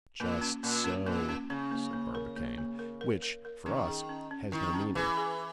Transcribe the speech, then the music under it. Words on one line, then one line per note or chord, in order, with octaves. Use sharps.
"Just so," said Barbicane, "which for us has no meaning."
A#2 A#3
C#4
A#2 A#3
C#4
A#2 A#3
C#4
C#3 C#4
A#3
A#3
A#4
A#3
A#3
A#4
A#4
A#4
A#4
D#3 C#4
G#4
C#4
C#4
D#3 E4
C#4
E3 G#4
G#4